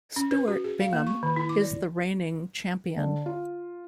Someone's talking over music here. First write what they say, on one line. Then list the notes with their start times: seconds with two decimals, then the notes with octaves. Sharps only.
Stuart Bingham is the reigning champion.
0.16 C#4
0.31 B4
0.48 F#4
0.64 G#4
0.81 F5
0.93 A#3
1.07 C#6
1.23 D#3
1.36 E4
1.49 D6
1.61 D5
2.97 D3
3.26 F4